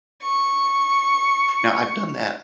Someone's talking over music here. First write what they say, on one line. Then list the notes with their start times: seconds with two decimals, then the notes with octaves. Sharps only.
now I've done that
0.22 C#6 C#7